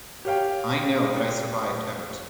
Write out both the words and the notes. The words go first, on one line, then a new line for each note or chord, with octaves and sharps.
I know that I survived Evert.
G4 C#5 F5 G5